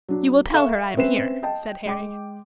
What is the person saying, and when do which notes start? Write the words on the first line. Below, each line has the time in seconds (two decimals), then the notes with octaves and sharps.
'You will tell her I am here?' said Harry.
0.09 F#3 D4
0.53 A4 E5 F5 C#6 E7
0.97 C4 C#4 B4 E5 C7 E7
1.43 D#5 G5 A5
1.85 G#3 G5 D6